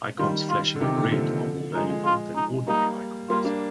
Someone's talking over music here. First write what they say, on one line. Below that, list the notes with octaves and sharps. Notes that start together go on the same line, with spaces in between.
Icons flashing in red are more valuable than ordinary icons.
D#3 G3 F4
F4
D3
C3 D#3 G4
A#2 D3
D3 F3
F3 G#3 D#4
F3 G#3
F4
D#4
G3 A#3 D#4
G3 A#3 F4
A#3 D4